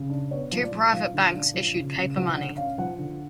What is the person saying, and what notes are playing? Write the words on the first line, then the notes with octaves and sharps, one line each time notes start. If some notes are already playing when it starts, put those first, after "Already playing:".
Two private banks issued paper money.
Already playing: C#3
D4
B3 C#5
F3
D5
F3
F3 F5
D3
D4
F3
C#3
C#3
F3 F#5
D3 F#5
C#4 F5
F3 F#5
D3